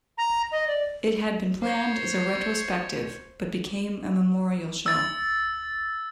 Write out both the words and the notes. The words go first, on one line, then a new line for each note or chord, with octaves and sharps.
It had been planned as a retrospective but became a memorial show.
A#5
D#5
D5
C5 C#5
E6 A6